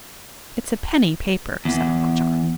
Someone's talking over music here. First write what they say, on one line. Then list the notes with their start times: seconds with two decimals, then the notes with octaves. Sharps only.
"It's a penny paper," said Uncle John.
1.65 E2